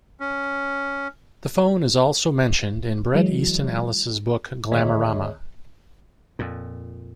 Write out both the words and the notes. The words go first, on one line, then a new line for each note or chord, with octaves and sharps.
The phone is also mentioned in Bret Easton Ellis' book "Glamorama".
C#4
E3 F#3 G#3
G#1 D2 G#4 C#5 D#5 E5
F2 A#2